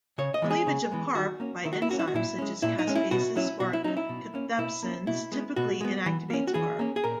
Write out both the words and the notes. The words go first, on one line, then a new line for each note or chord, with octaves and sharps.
Cleavage of Parp, by enzymes such as caspases or cathepsins, typically inactivates Parp.
C#3 C#5
D#5
E3 G#3 B3
G#4
C#3
E3 G#3 B3
D#3 F#4
A#3 C#4
D#3 E4
F#4
E4
A#3 C#4 F#4
E4
F#4
A#2 E4
G#3 C#4
A#2 E4
D#4
G#3 C#4
E4
B2 F#4
F#3 C#4 E4
B2 F#4
E4
F#3 C#4 D#4
E4
B2
A#3 C#4
B2 E4
A#3 C#4
B2 E4
G#3 B3
B2 F#4
G#3 B3
E3
A#3 C#4
F#4
E3 G#4
A#3 C#4
G#4
A#2 A#4